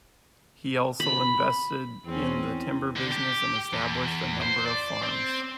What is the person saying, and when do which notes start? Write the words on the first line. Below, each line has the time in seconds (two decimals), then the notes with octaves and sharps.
He also invested in the timber business, and established a number of farms.
1.00 B5
2.05 E2 C4 C#4
2.96 D3
3.11 G4
3.73 E2
4.42 C5
4.66 D5
5.03 C4